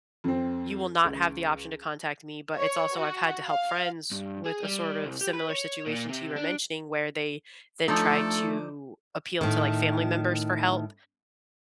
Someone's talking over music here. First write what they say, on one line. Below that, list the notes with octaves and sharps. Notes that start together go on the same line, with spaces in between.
you will not have the option to contact me." But it's also I've had to help friends with a sort of similar situation to you were mentioning where they then try to appeal to, like, family members for help,
F2 C4
C#2
C#5
F#4
F5
G2
G#4
G3
C2
G4
B4
C#5
A#2
C3
D4
F3 A3 D4 D#4 A4
A2 D#3